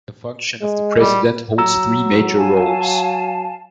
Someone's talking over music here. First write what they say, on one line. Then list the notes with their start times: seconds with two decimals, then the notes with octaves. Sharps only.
The function of the President holds three major roles.
0.62 G#3
1.00 G3
1.58 F#3 A#5 E6
2.36 F5 G#5 A5